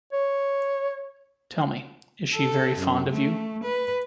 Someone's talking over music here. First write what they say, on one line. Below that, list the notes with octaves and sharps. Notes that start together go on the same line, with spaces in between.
Tell me, is she very fond of you?
C#5
A4
F#2
A3
B4